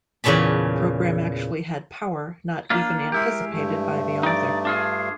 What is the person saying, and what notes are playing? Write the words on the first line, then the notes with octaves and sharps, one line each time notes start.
The Program actually had power not even anticipated by the author.
E2 A#2 C#3 C#5 A5 B5
A#3 D4 F4
G#3 E4 G4 A#4
G2 A3
D#4 D5
D4 F4 G#4